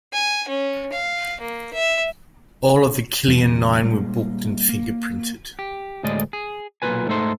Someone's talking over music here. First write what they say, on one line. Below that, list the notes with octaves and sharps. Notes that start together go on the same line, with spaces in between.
All of the "Killian Nine" were booked and fingerprinted.
G#5
C#4
F5
A#3
E5
E2 C3 E3 G3
A#2 G3 G#3
A#3
G4
D2 A2 G#3 D5 D#5
G#4
B1 A#2 C#4 F4 B4 G#5
G#2 A3 D#4 A4 C5 C6